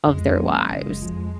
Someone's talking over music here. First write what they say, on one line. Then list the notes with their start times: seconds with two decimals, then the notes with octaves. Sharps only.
of their lives.
0.07 F2 G#3
0.38 F3 A#3 C#4
0.70 F#1 G#3
1.02 F2 F3